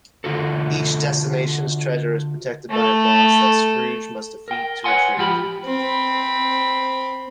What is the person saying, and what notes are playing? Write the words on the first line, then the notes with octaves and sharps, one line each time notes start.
Each destination's treasure is protected by a boss that Scrooge must defeat to retrieve.
D3 F4 F#4 A4
A3 A4
A#4 G5
B4 C#5 D#5 F#5 G#5 C6
G#2 F3 F4 G4 G5 B5
C4 B5